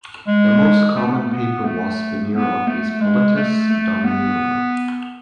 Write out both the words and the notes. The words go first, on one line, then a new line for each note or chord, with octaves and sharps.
The most common paper wasp in Europe is "Polistes dominula".
G#3
A3
B3
A3
B3
A3
B3
A3
A3
G#3
A3
A3
B3